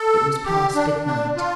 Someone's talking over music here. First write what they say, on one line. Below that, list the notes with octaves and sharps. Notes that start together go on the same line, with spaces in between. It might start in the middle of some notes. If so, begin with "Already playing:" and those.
It was past midnight.
Already playing: A4
G4
D4
D4
F4